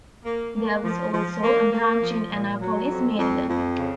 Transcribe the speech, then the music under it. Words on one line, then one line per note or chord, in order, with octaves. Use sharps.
There was also a branch in Annapolis, Maryland.
A#3
A#3
F3
F3
A#3
A#3
F3
A#2
F#3
F2
F2
F2
C#3